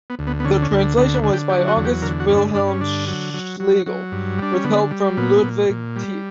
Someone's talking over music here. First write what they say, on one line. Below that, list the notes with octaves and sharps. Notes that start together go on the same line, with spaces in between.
The translation was by August Wilhelm Schlegel, with help from Ludwig Tieck.
B3
D2
B3
B3
D3 C#4
C#4
D2
D3 B3
B3
D3
G4
F#3 G4
F#4
E2
G4
D3 A#4
F#4
G2 C#4
D4
G2 D4
C#4
D3 D4
F#3
F#3
F#3
F#3
G2
G3 D4
C#4
D3 B3
G3
A#2 B3
A#2
A#2
G3